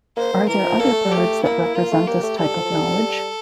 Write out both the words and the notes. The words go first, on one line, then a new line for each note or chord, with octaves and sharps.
Are there other birds that represent this type of knowledge?
A#3 C5
A#3
E3 A#4
F3
A#3 A4
A3
G3
A3 G4
A#3 E4
A#3
A#3 F4
A3
A#3 G4
A3
G3 A4
F3
F3
G3